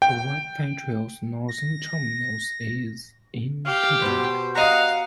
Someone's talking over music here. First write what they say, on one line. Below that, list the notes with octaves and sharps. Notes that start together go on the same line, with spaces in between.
The White Pine Trail's northern terminus is in Cadillac.
G5
A#6
G4 F5
B2 B4 C5
D#5 F5 F#5 A#5